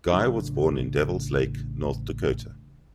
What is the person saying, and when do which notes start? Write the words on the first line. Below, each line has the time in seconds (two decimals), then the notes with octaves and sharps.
Guy was born in Devils Lake, North Dakota.
0.13 A1 C#3 F#3 D4